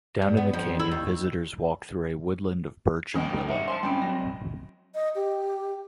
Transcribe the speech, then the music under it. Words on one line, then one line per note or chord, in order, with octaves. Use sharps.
Down in the canyon, visitors walk through a woodland of birch and willow.
G2
B3
F2
E4
D#2
G1 F2 G#2 C#4 D#5 G5
D#4
A3 G4 E5 F#5
C5 G#5 A5 C6
G1 G#3 C4 C#4 G5 B5 D7
F#3 B3 C4 A#6
D#5
G4